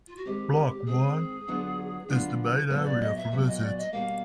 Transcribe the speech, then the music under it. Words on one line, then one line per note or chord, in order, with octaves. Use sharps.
Block I is the main area for visits.
F4
F#4
D#3 G#3 C4 G4
D#3 G#3 C4 G#4
D3 F#3 B3 D4 F4
D3 F#3 B3 D4 F4
A#2 F#3 B3 B4
D5
D#5
E5
A#2 F#3 B3
D#5
D5
D#5
B2 G3 A#3 F5